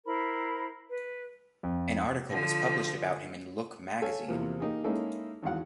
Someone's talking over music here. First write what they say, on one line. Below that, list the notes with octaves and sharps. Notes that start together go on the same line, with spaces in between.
An article was published about him in "Look" magazine.
E4 A#4 C5 B5
B4
F2
D3 F3
A4 C#5 F5 G#5
E2 C3 F3 A#3
A#3 D#4 G4 G#4
G#3 A#3 C#4 D#4 E4 A4
G#1 E2 F#4 F5 F#5